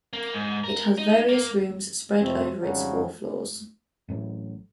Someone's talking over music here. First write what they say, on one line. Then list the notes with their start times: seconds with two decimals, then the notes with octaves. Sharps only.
It has various rooms spread over its four floors.
0.13 A#3
0.34 G#2
0.64 A#4
0.98 D#4
1.29 A#3
2.21 F2 C3 A3 C4
2.62 F2 G#2 C#3 F#3 G3
4.09 A1 A2 F#3